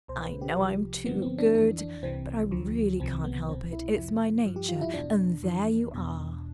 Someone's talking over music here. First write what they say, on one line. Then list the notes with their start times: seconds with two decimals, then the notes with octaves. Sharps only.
I know I'm too good, but I really can't help it, it's my nature--and there you are!
0.08 C2 B2 C5
0.25 B4
0.41 G4
0.57 C2 C3 F3
1.06 G2 D3 F3 B3
1.22 C4
1.38 D4
1.54 F2 E3 D4
1.79 D4
2.03 C2 C3 E3 C4
2.51 D2 D3 F3
3.00 C2 C3 F3 C4
3.24 B3
3.48 C2 B2 C4
3.73 E4
3.96 F2 C3 F3 E4
4.46 G2 F3
4.56 G4
4.69 F4
4.81 E4
4.94 E2 B2 D4
5.43 F2 E3
5.91 E2 B2